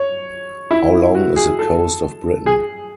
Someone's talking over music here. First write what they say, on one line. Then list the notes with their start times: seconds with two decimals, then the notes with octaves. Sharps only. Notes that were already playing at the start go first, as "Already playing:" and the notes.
How Long Is the Coast of Britain?
Already playing: C#5
0.71 E4
1.15 F#4
1.36 G#4
1.59 A4
2.46 G#4